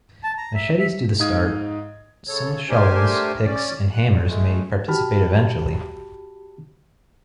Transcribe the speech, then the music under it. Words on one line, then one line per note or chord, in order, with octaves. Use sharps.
Machetes do the start, some shovels, picks and hammers may participate eventually.
A5
A#5
E5
E5
G#2 D#4 F5 D#6 G#6
C#3 A4 C#5
A3 D4 G4 A#4 C5 G#5
C#4 D5
F#6
A#2 F#3
G#3 A3
F#4 G4 A5 B5 F6